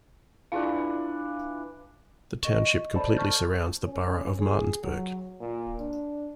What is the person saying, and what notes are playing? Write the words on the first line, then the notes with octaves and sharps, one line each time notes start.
The township completely surrounds the borough of Martinsburg.
E3 D4 E4 F4 F5
D#5 C#6
A4 C5 D5 A5 B5
A5 C#6 F6 G6 A6
C#4
G#4
F#3
A#2
D4